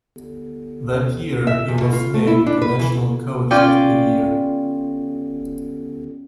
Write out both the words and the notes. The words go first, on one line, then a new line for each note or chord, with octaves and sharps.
That year he was named the national coach of the year.
E5
E2
B2
F4
A3
E4
D4
B4
E3
C#4 F4 D5 G5